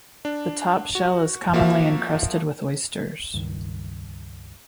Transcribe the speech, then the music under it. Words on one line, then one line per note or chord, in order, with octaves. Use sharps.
The top shell is commonly encrusted with oysters.
D4
F#4
F3 A#3 F#4 E5 F5
C#2 G2 D#3